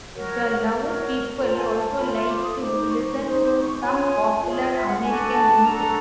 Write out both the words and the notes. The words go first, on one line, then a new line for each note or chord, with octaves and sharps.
The Lao people also like to listen to some popular American music.
F#4 A#4 C#5
F#4 A#4 C#5
F4 A4 C5 A#5
G#5
A5
F4 A4 C5 B5
C6
D6
D#6
D#4 G#4 C5 D6
C#6
D#4 G#4 C5 C6
D6
C#6
F4 G#4 C#5 G#5
F4 G#4 C#5
D#5
E5
F#5
D4 F#4 A4 G#5
A5
D4 F#4 A4 A#5